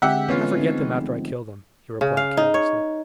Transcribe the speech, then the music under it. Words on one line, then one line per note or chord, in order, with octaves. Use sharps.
"I forget them after I kill them," he replied carelessly.
D3 G#3 C4 G4 E5 F#5
E3 A3 B3 C#4 F4
C4 D#4
F3
C#3
F5
D#4
C#5